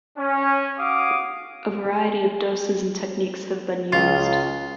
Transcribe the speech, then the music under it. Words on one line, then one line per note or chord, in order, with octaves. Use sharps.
A variety of doses and techniques have been used.
C#4
F#4 F5 D6 D#6
C#2 F4